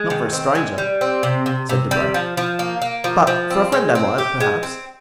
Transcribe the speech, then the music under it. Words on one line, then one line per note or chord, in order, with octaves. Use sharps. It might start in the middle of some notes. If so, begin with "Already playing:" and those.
"Not for a stranger," said Debray, "but for a friend I might, perhaps."
Already playing: G#3
D#3
C4
G#3
G3
C4
C3
C3
C3
G3
F3
F3
A#3
A#3
F3
F3
C4
G#3
C4
G4
G#3
C4